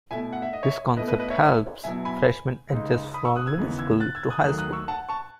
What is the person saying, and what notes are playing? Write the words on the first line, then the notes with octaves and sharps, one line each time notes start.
This concept helps freshmen adjust from middle school to high school.
B2 A3 E4 E5 G#5
F#5
E5
D#5
C#5 E5
B2 A3 E4 B4 D#5
B4
B4 D#5
C#5 E5
B2 F#3 B3 E4 E5 G#5
G#5 B5
C#2 C#3 G#3 D#4
B5 D#6
C#6 E6
D#6 F#6
E6 G#6
D#2 C#3 E3 G#3 B3
E6 G#6
F#6 A6
E6 G#6
D#6 F#6
D#2 D#3 F#3 A3 D#4 D#6 F#6
D#6 F#6
C#6 E6
F#5 A5
A5 C#6